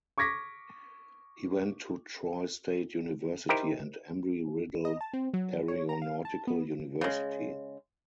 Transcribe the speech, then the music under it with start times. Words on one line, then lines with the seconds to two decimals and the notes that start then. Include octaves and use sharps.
He went to Troy State University and Embry–Riddle Aeronautical University.
0.18 C#6 D6 G#6 A#6 B6
3.49 D#4 E4 G4 A#4 C5
4.85 D#5
5.01 A5
5.14 C4
5.34 F#3
5.68 C#5
5.89 A#5
6.02 F5
6.25 A5
6.47 B3
7.01 C#3 G#3